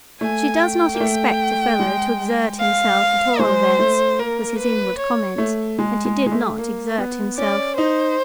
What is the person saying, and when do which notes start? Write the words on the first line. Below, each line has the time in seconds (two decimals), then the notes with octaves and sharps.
"She does not expect a fellow to exert himself, at all events," was his inward comment; and he did not exert himself.
0.21 A3 G#5
0.61 G5
0.95 A#3
1.00 A3
1.80 G#3
2.60 F5
3.39 G#3 C5
3.79 A3
4.19 A#3 A#4
4.59 B4
4.99 C#5
5.38 A3
5.79 G#3
6.05 G#3
6.26 G#3
6.32 A3
6.58 A#3
6.98 B3
7.38 C#4 D5
7.78 D#4 C5